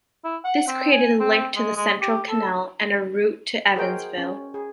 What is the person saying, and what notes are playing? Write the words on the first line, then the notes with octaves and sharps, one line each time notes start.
This created a link to the Central Canal and a route to Evansville.
E4
F#5
C4
G#5
C4
G#3
G#3
G4
A4
F#4 G#4 A#4 C5 D#5 G5
C#4
G#4